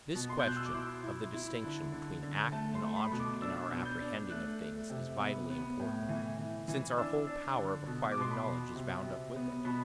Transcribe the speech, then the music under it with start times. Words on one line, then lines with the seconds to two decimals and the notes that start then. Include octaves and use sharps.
This question of the distinction between act and object in our apprehending of things is vitally important, since our whole power of acquiring knowledge is bound up with it.
0.15 B2
0.29 C6
0.39 G6
0.45 B2 F#6
0.56 E6
0.65 D6
0.74 E4 C6
1.03 E4
1.33 E4
1.63 D3
1.92 D3
2.22 D3
2.52 A3 A5
2.75 C6
2.82 A3
2.96 B5
3.12 B2
3.19 D6
3.41 D4 E6
3.71 B3
3.85 G6
4.00 D4
4.30 A3 F#6
4.60 A3
4.90 C3
5.20 B3
5.50 B3
5.80 A2
6.09 E3
6.38 E3
6.68 E3
6.98 D4 E6
7.27 D4
7.57 D3
7.86 B2
8.12 D6
8.17 B2 C6
8.31 B5
8.46 B2
8.75 C3
9.06 C3
9.36 B3
9.65 B2 B5